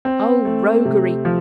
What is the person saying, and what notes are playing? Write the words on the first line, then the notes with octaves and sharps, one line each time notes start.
Oh roguery!
C4
A3
C3
F3